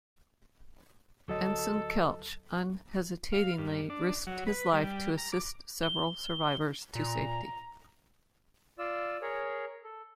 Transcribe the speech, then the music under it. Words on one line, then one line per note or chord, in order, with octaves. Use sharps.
Ensign Keltch unhesitatingly risked his life to assist several survivors to safety.
D2 F#3 A4 D#5
F5
G2
D4
F#3
B4
G3
A#5
D6
G7
A#2 A#5
F4 D5 E6
G#4 A#4 C#5
A4